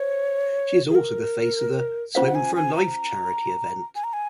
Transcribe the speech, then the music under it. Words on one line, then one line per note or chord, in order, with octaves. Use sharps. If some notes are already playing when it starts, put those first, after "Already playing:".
She is also the face of the "Swim for Life" charity event.
Already playing: C5 C#5
G#4
A#4
C#4 F4 C5 F5 F#5
F#5
G#5
G#5
A#5
G#5
A#5
G#5